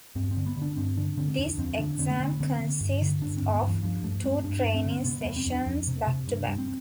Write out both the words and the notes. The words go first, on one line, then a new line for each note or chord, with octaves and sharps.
This exam consists of two training sessions back to back.
G2 C4
C4
D3
B3
D3 D4
G2 C4
D3 D4
D3 C4
F2 D4
F2 C4
D3 D4
D3 C4
A3
D3 B3
D3 C4
D3
G2
D3
G2 D4
G2 C4
B3
G2
E3
G2 F3
G2 A3
G2 C4
G2 D4
G2 D4
C4
D3
C4
C3 B3
F2 B3
C4
F2
D4
F2
C3
C3
G2
G2
C4